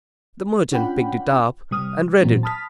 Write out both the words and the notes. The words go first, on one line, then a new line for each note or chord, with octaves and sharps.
The merchant picked it up and read it.
C#4 D4 F4 F#5 G5 B5
C3 G3 D#6 F6
A#2 E3 F#3 A#3 C4 C#4
A5 B5 D#6 F6 B6